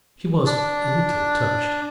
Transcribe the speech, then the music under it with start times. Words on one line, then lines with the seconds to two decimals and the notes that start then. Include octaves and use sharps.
She was a little touched.
0.46 D4